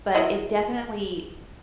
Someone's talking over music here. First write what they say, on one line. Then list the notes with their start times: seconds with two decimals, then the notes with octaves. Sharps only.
but it definitely,
0.15 F#3 E4 D#5